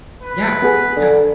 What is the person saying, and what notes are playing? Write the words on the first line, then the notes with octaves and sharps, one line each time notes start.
Yeah, yeah.
B4
B3 G#4
D3